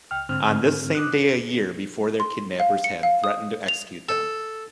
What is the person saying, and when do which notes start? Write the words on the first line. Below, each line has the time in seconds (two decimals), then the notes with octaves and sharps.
On this same day a year before their kidnappers had threatened to execute them.
0.11 C#2 G5 F6
0.29 G#2 D3 C4 F6
0.95 D6 D#6 F#6
2.20 C6
2.60 F5
2.84 C#7
3.03 F5
3.24 D#6
3.68 F7
4.09 A4